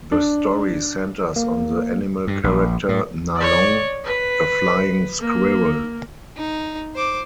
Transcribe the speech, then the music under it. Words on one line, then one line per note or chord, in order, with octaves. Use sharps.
The story centers on the animal character Nalong, a flying squirrel.
D4
A#3
G2
A#1
A2
C#5 D5
B4
A#3
D#4
C5 D6